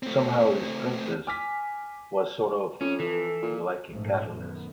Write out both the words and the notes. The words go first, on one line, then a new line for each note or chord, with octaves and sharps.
Somehow this princess was sort of like a catalyst.
A3 C4
G#5 D6 F6 B6
F2 C#4
E3 A4
A#2
A#1 G#2 G#3 A3 C#4
F#2 D#3 A3 B3